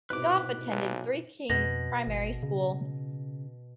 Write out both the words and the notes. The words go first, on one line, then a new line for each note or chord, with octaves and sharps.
Goff attended Three Kings Primary School.
C2 G#2 B2 B4 D6
B1
F2 B2 A#6
G#1
C#3